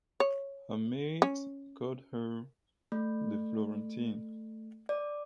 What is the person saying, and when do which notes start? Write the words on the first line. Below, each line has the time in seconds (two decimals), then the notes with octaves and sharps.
Her maids called her "the Florentine".
0.20 C#5
1.22 C#4
2.92 A3
4.89 D5